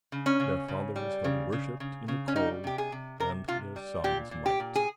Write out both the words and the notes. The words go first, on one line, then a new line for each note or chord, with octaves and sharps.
Their fathers had worshipped in the cold, and their sons might.
C#3
C#4
C#3
C#3
G3
C#3
C#3
C#3
C#3
C#4
G3 D#4
C3 G4
G#4
C3
C3 A#4
C3 F4
G3
A#2 G4
A#2
G4
A#2
G#4